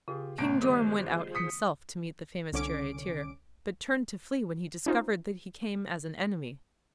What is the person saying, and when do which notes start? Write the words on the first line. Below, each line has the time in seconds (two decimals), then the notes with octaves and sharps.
King Joram went out himself to meet the famous charioteer, but turned to flee when he discovered that he came as an enemy.
0.08 C#3 F4 G4 G#4
0.38 G1 A#2 A3 B3 A5 A#5 C#6 D7
0.62 D#3 G3 D#4 A#4 C5 D6 D#7
0.99 F4 G#4 C5
1.35 D#6 B6 C#7
2.53 C2 D3 C#4 D6 D7
4.86 C#4 D#4 F4 C5